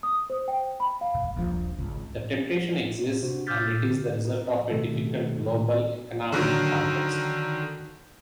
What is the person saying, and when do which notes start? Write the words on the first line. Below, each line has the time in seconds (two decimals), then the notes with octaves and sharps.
The temptation exists, and it is the result of a difficult global economic context.
0.03 D#6
0.30 C5
0.48 G5
0.80 B5
1.01 F5
1.36 D#1 A#1 F3
1.78 G#1 C#2
3.23 C3 D4 F#4 C5
3.47 D6 E6 F6 G6 A6 B6
3.85 D3
4.25 A#4
4.70 B2 D#3 A3 F#4 G4 A4
6.32 D3 D#3 F#3